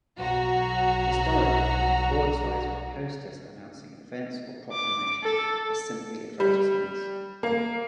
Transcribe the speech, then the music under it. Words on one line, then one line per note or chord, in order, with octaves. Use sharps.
Historically, broadsides were posters, announcing events or proclamations, or simply advertisements.
B1 F#3 F#4 A#5
D6
A4
G3
A#3